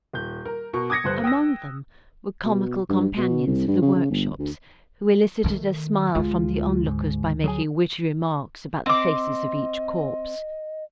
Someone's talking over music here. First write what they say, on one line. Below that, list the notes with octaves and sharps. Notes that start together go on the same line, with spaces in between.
Among them were comical companions of the workshops who elicited a smile from the onlookers by making witty remarks about the faces of each corpse.
D#1 G6
A#4
B2 A#4 C#6
D6 D#6 G#6 A#6 C#7
G1 G2 C5 F#6
G5 D#6 E6 A#6
B2
G2
B2
C2
G2
C#3
C#3
G1
D2
D#3 A3
D2 G#3 F4
G#2
F#3 G#4 G#5
C4 D#5 D6